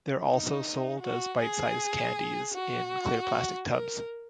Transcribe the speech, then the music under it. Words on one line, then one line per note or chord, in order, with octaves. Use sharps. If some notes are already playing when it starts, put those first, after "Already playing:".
They are also sold as bite size candies in clear plastic tubs.
D#4
F#4
G#4
F#4
A#4